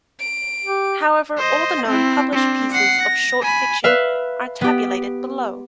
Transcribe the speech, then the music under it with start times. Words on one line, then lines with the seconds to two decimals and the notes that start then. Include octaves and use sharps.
However, all the known published pieces of short fiction are tabulated below.
0.19 D7
0.65 G4
1.37 C5 D#5
1.88 C4 E4
2.33 C4 D4
2.71 F#5 C7
3.02 A#6
3.41 G#5 B5
3.84 B4 E5 F5
4.61 B3 G4